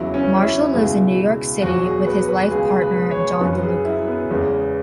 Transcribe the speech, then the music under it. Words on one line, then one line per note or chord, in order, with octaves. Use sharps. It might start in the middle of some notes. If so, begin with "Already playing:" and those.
Marshall lives in New York City with his life partner John DeLuca.
Already playing: E2 C#3 F#3 E4
C#4
E4
C#2 B2 G#3
E2 B2 F#3 F#4
G#4
B4
B4
C#2 B2 G#3 G#4
B4
C#5
F#2 F#3 B4
G#4
E4
B3
E2 C#3 G#3